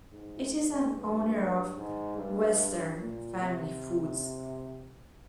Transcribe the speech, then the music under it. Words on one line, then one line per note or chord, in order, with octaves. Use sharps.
It is an owner of Western Family Foods.
G#2
G#2
G2
G#2
G2
A#2
C3